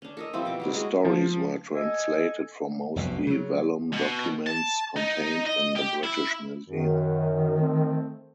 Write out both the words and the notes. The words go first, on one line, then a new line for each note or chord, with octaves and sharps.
The stories were translated from mostly vellum documents contained in the British Museum.
C#4 D4
A4 A#4 D#5
F3 G3 C4 E4
B2 D6
F#3 G3 C4
G#3 C#4 F#4 G#4
F3
A4 D#5 G#5
F1 B1 B2
C#3 F#3
B2
A5
D#4
D#5
G4
E4
F#2 D#3
A3 C4